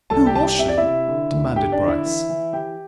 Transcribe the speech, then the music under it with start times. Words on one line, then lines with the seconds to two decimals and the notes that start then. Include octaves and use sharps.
"Who was she?" demanded Bryce.
0.10 C2 A4 A5
0.26 G4 G5
0.34 C2 A5
0.43 G4 G5
0.58 C3 E5
0.68 D5
0.78 E4 E5
0.83 C3
1.08 D3
1.31 D2
1.56 D3 G4 G5
1.72 D4 D5
1.80 D3
1.88 E4 E5
2.05 E3
2.29 E3
2.53 E3 G4 G5